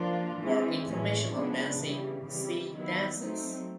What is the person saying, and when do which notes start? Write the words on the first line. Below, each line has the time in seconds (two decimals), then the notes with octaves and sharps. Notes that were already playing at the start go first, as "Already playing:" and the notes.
For information on dancing, see "Dances".
Already playing: F3 A#3 D4 F4
0.39 E3 G#3 C4
0.85 A2 E3 G#3 C#4
1.32 C#3 F3 G#3 B3 D4
1.78 C#3 E3 G3
2.25 C#3 E3 G3 C4
2.71 D#3 F#3 B3 E4
3.17 F#3 A3 C4 D#4